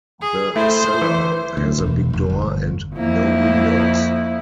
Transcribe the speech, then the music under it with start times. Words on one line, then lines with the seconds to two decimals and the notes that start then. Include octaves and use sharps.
The cellar has a big door and no windows.
0.21 G#4
0.56 A3 E4 C5
1.02 E3
1.57 D2
1.78 E1
2.13 F1
2.30 G1
2.95 F2 A#3 E4